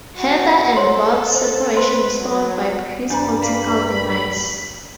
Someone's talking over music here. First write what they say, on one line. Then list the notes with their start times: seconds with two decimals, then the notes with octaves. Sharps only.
Heather and Bob's separation is followed by his political demise.
0.16 F#4
0.76 A4 C5 C#5 C6
1.35 C5
1.76 B4 C5 C6
2.20 F#3
3.10 G2 G3 D4 B4 G#5 A#5
3.42 A#3 B5